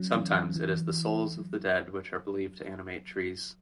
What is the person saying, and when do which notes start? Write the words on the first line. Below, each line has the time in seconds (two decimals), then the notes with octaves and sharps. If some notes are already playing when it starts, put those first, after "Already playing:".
Sometimes it is the souls of the dead which are believed to animate trees.
Already playing: F#3 C#4
0.14 E3
0.35 F#3
0.56 E3
1.37 F#3